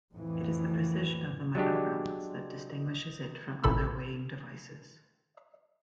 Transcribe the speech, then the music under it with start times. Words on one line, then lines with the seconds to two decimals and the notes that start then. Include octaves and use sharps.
It is the precision of the microbalance that distinguishes it from other weighing devices.
0.14 F2 A2 E3
1.55 F#3 G#3 D4 G4
3.64 A1 A#2 A4 B5 E6